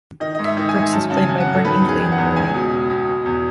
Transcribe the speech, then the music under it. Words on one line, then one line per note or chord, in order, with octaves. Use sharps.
Brooks is played by Brent Hinkley in the movie.
D#3 D#5
G#2 D#5
E5
D#3
G#5
G#2
F#2 A5
C#3 A5
G#5
F#2
F#5
F#2
A4
D#3 B4
E2
G#4
D#3
F#5
E2
C#2 G#5
B2
B2
B2
B2
E2